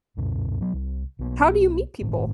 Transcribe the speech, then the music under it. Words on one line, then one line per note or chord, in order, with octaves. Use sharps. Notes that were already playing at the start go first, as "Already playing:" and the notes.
How do you meet people?
C#2 F#2 B2
F#3 B3
C2
B1 A#3 B3
G1 A2 D#3